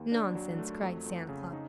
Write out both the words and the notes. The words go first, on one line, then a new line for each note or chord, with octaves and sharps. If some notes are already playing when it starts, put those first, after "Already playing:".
"Nonsense!" cried Santa Claus.
Already playing: D#2
D4
F#3
A3
F2
F2
C#3
D#4